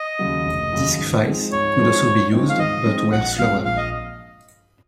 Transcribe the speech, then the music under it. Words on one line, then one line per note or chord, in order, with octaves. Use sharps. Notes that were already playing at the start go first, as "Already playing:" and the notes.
Disk files could also be used but were slower.
Already playing: D#5
D#2 C#3 F#3
F1
D#2 C#3 F#3
G#2
F3 G#3 C4 D#4
G#2 C#5
F3 G#3 C4 D#4
G#2
F3 G#3 C4 D#4
F5
G#2 D#5
F3 G#3 C4 D#4
A#1 F#5
A#2 F3 G#3 C4 F5
A#1 F5
D#5